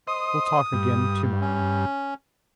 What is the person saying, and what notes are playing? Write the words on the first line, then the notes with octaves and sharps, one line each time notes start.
"We'll talk again to-morrow."
C5 D#5 D#6
G2
C#4